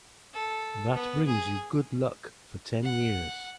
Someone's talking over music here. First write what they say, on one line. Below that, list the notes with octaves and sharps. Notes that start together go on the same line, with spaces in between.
That brings you good luck for ten years.
A4
B3
G#4
F#5